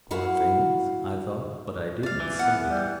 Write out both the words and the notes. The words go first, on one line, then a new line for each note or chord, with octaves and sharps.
"Poor things," I thought, but I didn't say it.
E4 F#4 F5 F#5
D5 F5
E3
B3 F#5
G3